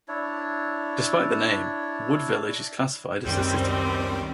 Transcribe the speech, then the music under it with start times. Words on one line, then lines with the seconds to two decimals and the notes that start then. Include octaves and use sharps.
Despite the name, Wood Village is classified as a city.
0.08 D4 E4 C#5
3.25 C#2 F#2 D#3 G3 C4